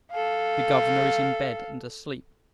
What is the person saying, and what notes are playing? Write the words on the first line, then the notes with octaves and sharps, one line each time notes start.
"The governor is in bed, and asleep."
A4 F5